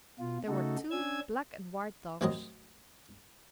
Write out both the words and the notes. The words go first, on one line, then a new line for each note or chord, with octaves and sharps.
There were two black and white dogs.
B2 F4
C#3 A3 D#4 F#4 A4
C#4 D4 G#5 E6 G#6
A1 F#2 F#3 C4 A#4 D#5